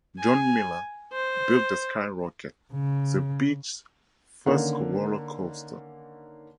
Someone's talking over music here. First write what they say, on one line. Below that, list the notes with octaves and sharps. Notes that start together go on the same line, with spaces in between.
John Miller built "The Sky Rocket," the beach's first roller coaster.
G#5
C5
C#3
D3 D#3 A#3 C#4